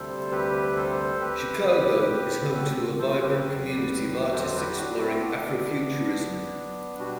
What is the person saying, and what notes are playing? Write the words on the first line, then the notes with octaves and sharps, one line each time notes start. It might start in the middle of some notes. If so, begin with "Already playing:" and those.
Chicago is home to a vibrant community of artists exploring Afrofuturism.
Already playing: D2 C3 G3 A4 C5
G4 B4
A4 C5
G4 B4
F#4 A4
A4 C5
G4 B4
E2 D3 F#3
A4 C5
G4 B4
D4 F#4
C4 E4
B3 D4
B2 G3 D4 F#4